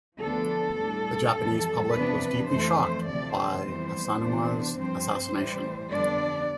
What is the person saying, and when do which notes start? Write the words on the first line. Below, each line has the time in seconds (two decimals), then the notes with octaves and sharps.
The Japanese public was deeply shocked by Asanuma's assassination.
0.20 D2 D3 F3 B3 D4 A4
0.77 A2 G3 D4
1.34 F2 E3 G3
1.91 E2 C3 F3 B3 D4 B4
2.48 F2 E3 A3 C5
2.77 C5
3.05 D2 C3 F3 A3 D5
3.35 C5
3.63 F2 E3 G3 B3
4.19 C3 E3 B3 D4
4.77 G2 F3 C4 C5
5.34 A2 E3 G3
5.91 F2 D3 G3 B3 D4 D5